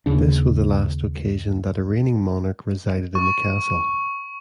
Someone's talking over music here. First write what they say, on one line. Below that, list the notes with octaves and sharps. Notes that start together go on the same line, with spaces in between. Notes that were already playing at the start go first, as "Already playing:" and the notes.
This was the last occasion that a reigning monarch resided in the castle.
D#2 C#3 D4
C#6